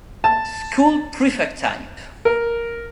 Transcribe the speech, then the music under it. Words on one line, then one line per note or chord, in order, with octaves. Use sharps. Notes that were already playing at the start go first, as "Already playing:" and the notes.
School prefect type.
A5
A#4